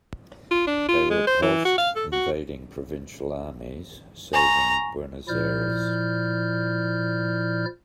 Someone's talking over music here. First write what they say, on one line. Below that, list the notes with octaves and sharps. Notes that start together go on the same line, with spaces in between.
They repulsed invading provincial armies, saving Buenos Aires.
F4
D4
F4
G#3
C5
E3
F#4
F5
A4
F#4
G#5 A#5 C#6
A#2 F3 E4 D5 F6 G6